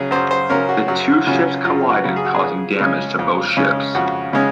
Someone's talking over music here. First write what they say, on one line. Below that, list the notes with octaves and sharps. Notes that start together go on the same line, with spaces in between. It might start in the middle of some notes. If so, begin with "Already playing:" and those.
The two ships collided causing damage to both ships.
Already playing: C#3 F#3 C#4 G#4
F#2 C5
C5
C#3 F#3 C#4 A#4
F#4
F#2 F#4
C#3 F#3 C#4 F4
F#2 F4
F#4
C#3 F#3 C#4
G#4
F#4
G#4
F2
C#3 G#3 C#4
F2
C#3 G#3 C#4
F2 F#4
C#3 G#3 C#4